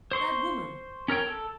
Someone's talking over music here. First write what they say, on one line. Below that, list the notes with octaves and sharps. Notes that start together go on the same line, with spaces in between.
That woman!
C5 C6 C#6
C#4 A#4 C#5 G5
A4